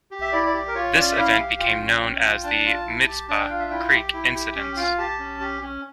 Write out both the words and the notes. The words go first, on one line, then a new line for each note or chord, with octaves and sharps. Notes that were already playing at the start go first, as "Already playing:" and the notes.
This event became known as the Mizpah Creek incidents.
G4
E5
E4 D5
D5
G4
A#4
F4 C#5
C#4 D5
E5
E4 F5
G4
F4 G5
C#4
C#4
F4
D4 A5
F4
E4
G4
D4 A5
G5
F4 F5
E5
E4 G5
G4
E4
G4
C#4 G5
F4 F5
G4 A5
C#4
G4
C#4